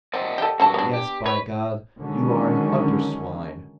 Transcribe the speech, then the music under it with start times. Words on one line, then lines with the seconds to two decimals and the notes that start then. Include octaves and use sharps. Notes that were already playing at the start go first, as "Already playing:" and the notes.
Yes, by God, you are an utter swine!
0.14 C4 D5 D#5 F#5
0.38 G4 A4
0.60 G2 D3 F#4 A4 A5
0.74 B3 D4
0.93 G4
1.26 B4 C#5
2.01 D3 D#3 F#3 G#3 C#4